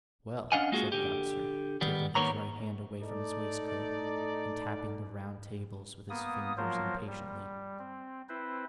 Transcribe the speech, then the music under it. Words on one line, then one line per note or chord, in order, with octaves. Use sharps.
"Well," said Vavasor, taking his right hand away from his waistcoat, and tapping the round table with his fingers impatiently.
C#4 D4 D#5 F5 F#5 G#5
G#3 A#3 F4 F#4 G#4
D3 G4
D#3 G3 B3
D#2 D#3 A#3 B3 C#5 A#5
A2 D#4 A4 D5
A#3 B3 D#6
F3 F#3 A#3 F4 A#4 C5
G3
C4
C4 E4 B4 C5